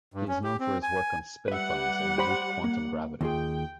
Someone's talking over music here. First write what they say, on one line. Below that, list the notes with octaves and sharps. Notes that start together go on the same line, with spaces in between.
He is known for his work on spin foams in loop quantum gravity.
G2
C#4
G4
C4
G#5
G3 B4 E5 F#5
G4 C5 B5
A#3
D#2 F4 G#4 G5